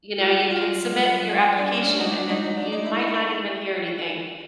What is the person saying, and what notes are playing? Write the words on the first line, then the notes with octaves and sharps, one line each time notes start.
you know? You can submit your application, and then you might not even hear anything.
G#3 F4
G3 G4
F#4
G3 F4
G3
F#3
G#3
G3
F#3
G#3
G3
D4
C#4
A3 D4
G#3 D#4
D4
G3
G#3 D#4
D#4
D4
A3 D#4
G#3 E4
G#3 E4
D#4
A3 E4
A3
G#3
G3